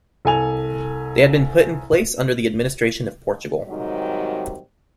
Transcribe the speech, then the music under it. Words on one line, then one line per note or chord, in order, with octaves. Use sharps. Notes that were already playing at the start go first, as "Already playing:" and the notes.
They had been put in place under the administration of Portugal.
C2 A4 G#5 F7
G#2 C3 D#3 F#3 G3